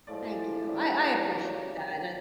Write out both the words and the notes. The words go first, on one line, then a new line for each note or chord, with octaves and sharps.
Thank you. I I appreciate that, and I
A2 F3 G#3 D5
C#3 E3 G3 D5
C#3 F#3 A#3 D5